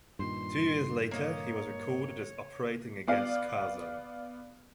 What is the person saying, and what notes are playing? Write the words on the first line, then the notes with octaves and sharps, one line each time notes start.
Two years later, he was recorded as operating against Kazan.
G2 A#2 D#3 C6
A#3 C#5 D#5
B3 D5 F5